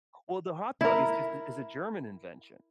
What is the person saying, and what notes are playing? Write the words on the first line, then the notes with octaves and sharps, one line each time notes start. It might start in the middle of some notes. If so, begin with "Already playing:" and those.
Well, the hot dog is just a is a German invention.
E4 A#4